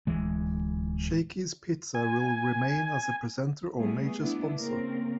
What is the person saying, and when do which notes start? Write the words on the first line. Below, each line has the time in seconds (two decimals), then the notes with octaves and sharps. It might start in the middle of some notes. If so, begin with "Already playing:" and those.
Shakey's Pizza will remain as a presenter or major sponsor.
0.07 D1 E3 G#3
1.95 G#5
3.79 G3 A3 B3 E4 G#4
4.22 B3 D4 E4
4.59 C#3 A#3 C4 A#4